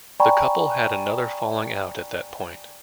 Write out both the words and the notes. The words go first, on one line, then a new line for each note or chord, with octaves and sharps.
The couple had another falling out at that point.
D5 G5 G#5 A#5 B5 C#6